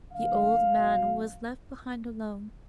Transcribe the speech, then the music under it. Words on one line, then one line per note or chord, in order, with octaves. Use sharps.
The old man was left behind alone.
D3 F#3 A3 C#4 F5
B2 F#3 C#4